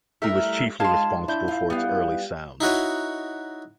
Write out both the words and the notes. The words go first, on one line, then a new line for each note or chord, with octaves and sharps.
He was chiefly responsible for its early sounds.
G3 A3 E4 A#4 E5
G#3 D#4 F4 F5 A5 C6 G#6
D4 E4 G6
D#2 F4
G3 B3 F4
D#4 E4 F#4 C#5